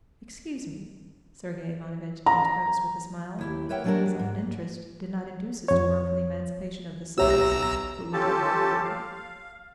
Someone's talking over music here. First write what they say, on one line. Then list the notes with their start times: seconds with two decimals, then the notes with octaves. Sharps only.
"Excuse me," Sergey Ivanovitch interposed with a smile, "self-interest did not induce us to work for the emancipation of the serfs, but we did work for it."
2.26 A#5
3.39 D#2 E4 G4
3.69 A#4 B4 C#5 E5 F#5 G5
3.84 F#3 G3 A3 D4 G#4 A#4
4.06 F#3
4.19 G#2
5.68 F2 C#5
7.18 B1 G4 C#5 E5 A#5 E6
8.13 C#4 F4 G4 A4 A5
8.83 F5